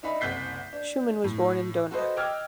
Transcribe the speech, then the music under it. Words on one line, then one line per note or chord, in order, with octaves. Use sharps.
Schumann was born in Dohna.
D4 D#4 E5 B5
F#1 C2 F#5 G6 B6 C7
D4
A2
F#4 A4 B4 C5 D#5
D#5 G5 D6 E6 F6 G#6